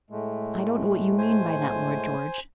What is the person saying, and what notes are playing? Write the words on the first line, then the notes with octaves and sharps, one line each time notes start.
"I don't know what you mean by that, Lord George."
A2 G#3 A3
C5 G#5